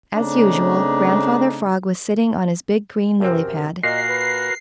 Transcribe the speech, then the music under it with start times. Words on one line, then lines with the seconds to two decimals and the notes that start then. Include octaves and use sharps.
As usual, Grandfather Frog was sitting on his big green lily-pad.
0.15 C#3 A3 C4 D4 D#4 A#5
3.20 F#2 C3 C4 A#4
3.83 A#2 F#4 A#4 D#5 C7
4.08 B4